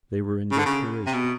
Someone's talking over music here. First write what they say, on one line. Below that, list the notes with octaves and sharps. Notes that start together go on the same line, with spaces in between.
They were in desperation.
C#3
D3
C#3
C3
B2